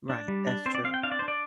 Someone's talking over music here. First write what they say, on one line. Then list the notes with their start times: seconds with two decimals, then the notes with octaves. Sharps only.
Right. That's true.
0.10 D4
0.28 G3
0.47 D4
0.66 C4 C5
0.75 D5
0.84 C4 F5
0.94 G5
1.03 D4 F5
1.12 D5
1.19 D4 C5
1.28 D5